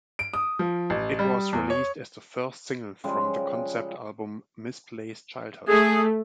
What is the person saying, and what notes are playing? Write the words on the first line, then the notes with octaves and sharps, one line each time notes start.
It was released as the first single from the concept album "Misplaced Childhood".
D7
D#6
F3
A1
G3
E2
C#5
C#3 F3 G3 G#3
A3 G#4